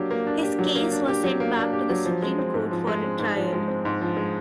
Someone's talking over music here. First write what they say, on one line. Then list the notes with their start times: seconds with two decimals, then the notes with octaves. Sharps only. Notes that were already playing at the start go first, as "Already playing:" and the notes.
His case was sent back to the Supreme Court for retrial.
Already playing: F#3 A#3 D4 G4
0.11 A#3
0.27 D4
0.43 G4
0.59 F#3
0.75 A#3
0.92 D4
1.08 G4
1.24 F#3
1.40 A#3
1.57 D4
1.73 G4
1.90 F#3
2.05 F3
2.23 G#3
2.38 C4
2.54 G#2
2.71 F3
2.87 G#3
3.04 C4
3.19 G#2
3.36 F3
3.53 G#3
3.68 C4
3.85 G#2
4.01 F3
4.17 G#3